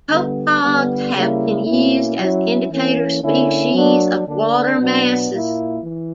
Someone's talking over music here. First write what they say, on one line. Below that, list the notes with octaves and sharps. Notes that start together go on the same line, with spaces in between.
Copepods have been used as indicator-species of water masses.
D3 G3 B3
D3 G3 B3
C#3 G3 A#3 E4
B2 A#3 C#4 E4
F#3 C#4 E4
E3 A#3 C#4
D3 A#3 C#4 E4
F#3 A#3 D4
D3 A#3 D4
B2 F#3 B3 D4
A#2 A#3 E4
E3